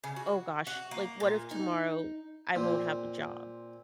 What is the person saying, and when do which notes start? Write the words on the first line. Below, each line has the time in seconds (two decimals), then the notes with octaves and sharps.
oh gosh, like, what if tomorrow, I won't have a job?
0.04 C#3
0.16 F#4
0.67 F#4
0.91 A#3
1.20 A#2
1.51 D#4
2.55 A#2 C4